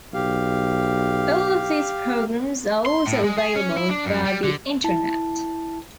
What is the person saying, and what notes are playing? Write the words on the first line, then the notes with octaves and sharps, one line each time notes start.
All of these programmes are also available via the internet.
B1 G4 F5
C6
A2
G#3
G#4
C#4
E4
D4
F#2
G3
D3
E4 A5